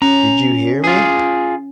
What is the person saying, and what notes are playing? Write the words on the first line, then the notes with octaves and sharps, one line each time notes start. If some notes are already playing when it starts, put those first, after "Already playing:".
Did you hear me?
C#4 A#5
F4 G#4